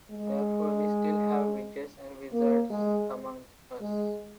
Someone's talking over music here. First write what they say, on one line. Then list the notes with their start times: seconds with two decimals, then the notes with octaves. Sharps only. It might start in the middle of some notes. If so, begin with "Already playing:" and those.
Therefore we still have witches and wizards amongst us.
0.11 G#3
2.33 A#3
2.70 G#3
3.81 G#3